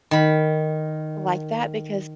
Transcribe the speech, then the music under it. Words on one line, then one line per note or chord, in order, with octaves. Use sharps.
like that? Because
D#3 B5